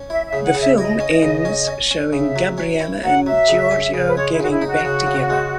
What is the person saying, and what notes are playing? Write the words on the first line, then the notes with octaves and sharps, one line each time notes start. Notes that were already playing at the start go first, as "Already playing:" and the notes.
The film ends showing Gabriella and Giorgio getting back together.
Already playing: C#4
E4 E5
E5
C#3
F#5
C#3
E5
E4 D#5
C#4
C#3
C#4
C#4
C#4
C#3 E5
F#3
C#4
E4
F#3 F#5
F#3 E5
C#3
C#4
C#3
B4
G#3 C#5
E4
C#3 F#4
E4
D#4
F#4
C#3
C#3
G#3